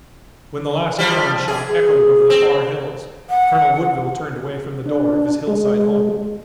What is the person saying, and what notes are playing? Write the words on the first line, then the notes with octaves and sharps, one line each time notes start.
When the last cannon shot echoed over the far hills Colonel Woodville turned away from the door of his hillside home.
F3 G3
G#4
C4
F#5
D4
G#3